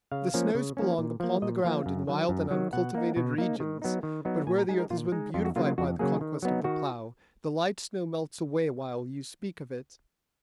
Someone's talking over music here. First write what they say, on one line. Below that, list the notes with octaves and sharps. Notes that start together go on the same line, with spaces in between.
The snows belong upon the ground in wild and uncultivated regions, but where the earth has been beautified by the conquest of the plough, the light snow melts away while you speak of it.
C#3 F5
F3 A#3 C#4
C#3
F3 A#3 C#4
A#2
F3 A#3
A#2 D#5
F3 A#3 F5
F#2
D#3 F#3
F#2
D#3 F#3
B2 F#5
A#3 D#4
B2
A#3 D#4
D#3
F#3 B3 D#4
D#3
F#3 B3 D#4
A#2 G#5
A#5
G#3 D#4 G#5
A#4
A#2 F4
G#3 D#4
F2 F4
F#4
C#3 F#3 A#3 F4
F4
F2 F#4
C#3 F#3 A#3 G#4
D#3
F#3 B3 D#4
D#3 F#4